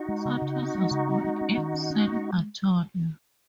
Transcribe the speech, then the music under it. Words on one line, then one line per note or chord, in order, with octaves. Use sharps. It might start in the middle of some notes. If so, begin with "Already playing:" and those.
Santos was born in San Antonio.
Already playing: D#4 F#4
G#3
C#3
C#3
C4
G#3
C#3
C4
G#3
C#4
D#3
C#4
C#4
G#3